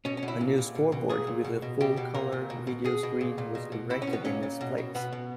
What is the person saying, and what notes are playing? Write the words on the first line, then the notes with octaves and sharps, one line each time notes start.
A new scoreboard with a full-color video screen was erected in its place.
B2 C#4
C#4
B2
E4
A#2
A#2
B2
B2
A#2 G#4
A#2
B2
B2
B2 G4
B2
A#2 A#4
A#2
B2
B2
B2 G#4
B2
A#2
A#2
B2
B2
B2 E4
C#4
B2
B3
A#2 C#4
A#2
B2
B2
B2 B3
B2